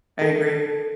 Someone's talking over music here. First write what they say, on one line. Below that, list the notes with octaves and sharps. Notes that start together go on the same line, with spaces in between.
I agree.
A4